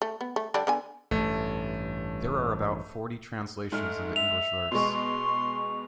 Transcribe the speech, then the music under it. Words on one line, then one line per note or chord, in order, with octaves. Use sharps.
There are about forty translations into English verse.
A3
B3
A3
D3 G3 D4
D3 B3 G#5
A1 G2 A3
G#2 A3 F6
E5 F7
B2 G#3 C6 C#6